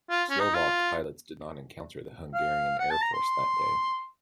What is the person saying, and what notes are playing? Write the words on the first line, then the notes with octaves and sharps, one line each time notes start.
Slovak pilots did not encounter the Hungarian Air Force that day.
F4
C#4
D#4
F4
F5
F#5
A5
A#5
C6